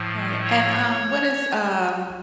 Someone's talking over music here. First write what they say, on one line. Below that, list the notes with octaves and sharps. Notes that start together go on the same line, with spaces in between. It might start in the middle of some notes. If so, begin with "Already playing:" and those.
Right. And, um, what is um
Already playing: A2 F3
C#5